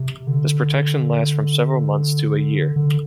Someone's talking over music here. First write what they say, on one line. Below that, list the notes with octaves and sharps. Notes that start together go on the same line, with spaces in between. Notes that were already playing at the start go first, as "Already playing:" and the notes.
This protection lasts from several months to a year.
Already playing: C3
D3
D3